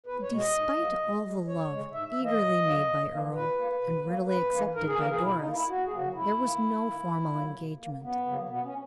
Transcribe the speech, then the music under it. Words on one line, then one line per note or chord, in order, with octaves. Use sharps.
Despite all the love eagerly made by Earle, and readily accepted by Doris, there was no formal engagement.
E2 B4
C#5
B2 G#3
D#5
G#2
F#3 A#3
A#2
G#3
F#2 C#5
C#3 G#3
G#2 E5
E5
E3 A#3
D#5
A#2
F#3 A#3
F#2
E3 A#3
A#2 B4
A#3
B2
F#3 A#3
F#2 B4
E3 A#3
G#2 A#4
G#4
E3 A#3 A#4
G#4
B2 E4
D#4
A#3
E4
E2 F#4
G#4
C#3 F#3 A#3 F#4
F#2 E4
D#3 A#3
D#2
D#3 A#3
G#2
F#3 A#3
B2
A#3
F#2 B3
C#3 F#3 A#3
B2 B3
C#4